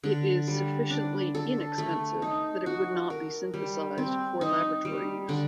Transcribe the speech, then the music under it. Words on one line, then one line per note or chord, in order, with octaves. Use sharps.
It is sufficiently inexpensive that it would not be synthesized for laboratory use.
D3
G3
D4
A4
A3
D#4
F#4
A#4
G3
C4
D#4
G3
D3